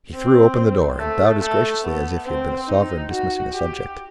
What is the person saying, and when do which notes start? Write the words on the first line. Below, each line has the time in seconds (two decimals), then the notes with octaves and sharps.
He threw open the door, and bowed as graciously as if he had been a sovereign dismissing a subject.
0.14 C4
0.98 A3
1.40 A3
1.83 B3
2.25 C4
2.67 D#4
3.10 F#4
3.52 G4